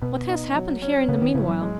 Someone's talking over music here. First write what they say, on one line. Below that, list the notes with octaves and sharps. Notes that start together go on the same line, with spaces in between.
"What has happened here in the meanwhile?"
B2 B3
D#4
F#3
C#4
C#3 B3
D#3
A2 C#3
F#3
G#3